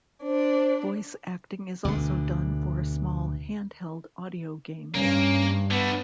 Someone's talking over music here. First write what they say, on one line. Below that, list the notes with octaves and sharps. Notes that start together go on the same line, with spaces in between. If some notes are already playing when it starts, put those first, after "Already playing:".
Voice acting is also done for small handheld audio games.
D4 C5
D2 B2 D3
G2 A#3 C#4
D3 A3 B3